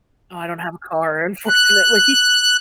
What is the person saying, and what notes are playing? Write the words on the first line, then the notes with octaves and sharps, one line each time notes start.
Oh, I don't have a car, unfortunately.
F#6